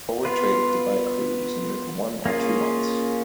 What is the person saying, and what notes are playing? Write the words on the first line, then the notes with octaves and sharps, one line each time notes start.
Forward trade of Dubai Crude is limited to one or two months.
B3 F4 B4
A#3 C#4 F4 G#4